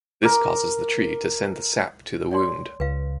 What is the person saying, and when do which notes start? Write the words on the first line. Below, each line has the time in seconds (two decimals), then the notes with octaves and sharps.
This causes the tree to send the sap to the wound.
0.23 A#4 D6
2.31 C#5 D5 C6
2.80 C#2 B4 F5